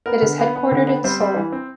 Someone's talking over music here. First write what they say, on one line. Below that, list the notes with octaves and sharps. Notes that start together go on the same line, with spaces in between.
It is headquartered in Seoul.
B3 A#4
D3
B3
B3
D3
B3
G3 C4 C5
G3
E3
C4